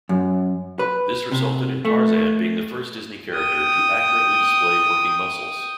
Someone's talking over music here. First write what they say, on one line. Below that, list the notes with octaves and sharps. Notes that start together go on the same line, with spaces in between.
This resulted in Tarzan being the first Disney character to accurately display working muscles.
F#2
B4
C3
A3
G5 D#6